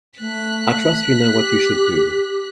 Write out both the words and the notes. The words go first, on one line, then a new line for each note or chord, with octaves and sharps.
I trust you know what you should do.
A3 F#6 B6
G4